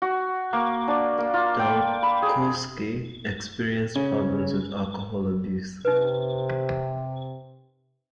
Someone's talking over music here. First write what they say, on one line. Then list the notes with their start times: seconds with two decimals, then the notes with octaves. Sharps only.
Dalkowski experienced problems with alcohol abuse.
0.02 F#4
0.53 A#3
0.88 D4
1.18 A#3
1.34 F4
1.59 G5
2.03 B5
2.22 G#4
3.96 C#3 C#4
5.85 C3 D#4 B4